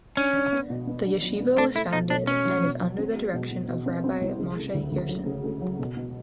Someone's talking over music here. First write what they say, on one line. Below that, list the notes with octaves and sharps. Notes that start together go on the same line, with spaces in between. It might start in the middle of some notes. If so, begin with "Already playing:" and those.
The Yeshiva was founded and is under the direction of Rabbi Moshe Herson.
C#4 D4
D4
B3
B2
B3
D4
F#3
B3
A3 D4
A3 E4
B2 D#4
B2 D4
B2 C#4
F#3
B2
F#3
C4
G#3
B2
B2
B2
C4
C4
C2
C#3
A3
D2
D2
F#3
C#3
A3
F#3
B2
B2